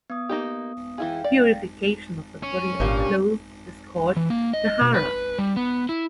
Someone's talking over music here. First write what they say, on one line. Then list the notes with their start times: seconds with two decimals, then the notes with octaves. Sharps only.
Purification of the body and clothes is called "taharah".
0.10 B3 D#6
0.29 A#3 D#4 G4
0.98 E3 E4 G#4 F5 G5
1.24 D5
2.43 C#4
2.80 G#1 G2 A#2
4.16 E3
4.30 A#3
4.53 D#5
4.81 B2
4.94 B4
5.39 G3
5.56 B3
5.89 E4